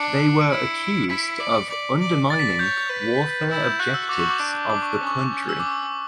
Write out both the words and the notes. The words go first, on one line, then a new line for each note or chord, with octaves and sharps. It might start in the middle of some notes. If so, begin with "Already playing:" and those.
They were accused of "undermining warfare objectives of the country".
Already playing: D4 C#7
D7
E4 C#7
E4 B6
D5
D5
D5
D5 A6
B6
A6
C#5 G6
B4
E4
G6
F#4 F#6
E6
F#4 D6
C#6
D6
D4
D6
C#6
C#4
C#6
C#4
E6
D6